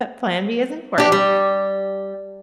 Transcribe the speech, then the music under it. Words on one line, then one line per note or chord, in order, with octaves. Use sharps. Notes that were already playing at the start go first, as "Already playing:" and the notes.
plan B is important,
D4 G4
G3